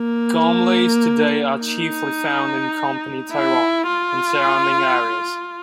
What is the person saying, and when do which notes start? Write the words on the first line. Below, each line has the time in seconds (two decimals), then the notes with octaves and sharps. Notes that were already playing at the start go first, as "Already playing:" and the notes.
Gormleys today are chiefly found in Company Tyrone and surrounding areas.
Already playing: A#3
1.62 D#4
3.31 E4
3.88 F4